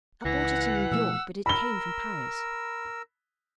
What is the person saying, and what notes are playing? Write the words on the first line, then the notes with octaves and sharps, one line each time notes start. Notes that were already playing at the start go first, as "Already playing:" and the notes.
I bought it in New York, but it came from Paris.
C#2 E3 F#5 A#6
B2 F3 A3 E6
A#4 B5 E6 G7